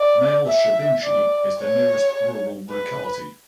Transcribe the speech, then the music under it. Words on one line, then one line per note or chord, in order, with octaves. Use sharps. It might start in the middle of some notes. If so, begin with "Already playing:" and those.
Malye Shcherbinichi is the nearest rural locality.
Already playing: D5
E5
D5
C#5
B4